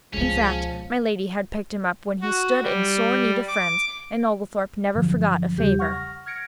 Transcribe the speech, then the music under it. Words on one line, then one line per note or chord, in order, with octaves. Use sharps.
In fact, my lady had picked him up when he stood in sore need of friends, and Oglethorpe never forgot a favor.
C#2 B2 F3 G#3 C#4
F#4
G3
D6
G2 D3 F3 F#3
E2 C#3 G3 G4 G6
F#5 C#6 F6 A#6
F6 G#6 A#6 C#7 D7